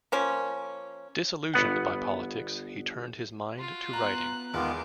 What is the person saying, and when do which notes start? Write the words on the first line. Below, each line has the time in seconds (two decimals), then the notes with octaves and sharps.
Disillusioned by politics, he turned his mind to writing.
0.12 F3 A#3 C#4
1.54 G1 B3 F#5
3.55 F4 F#4
3.93 B3 A#5 F#6
4.54 E2 D#3 G#3 B3 F4 D6